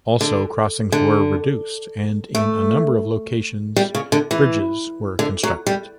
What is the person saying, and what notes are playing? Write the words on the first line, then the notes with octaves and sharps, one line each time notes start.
Also crossings were reduced, and in a number of locations bridges were constructed.
D3
D3
A3
G3
C#3
D3
E3
D3
F#3
G3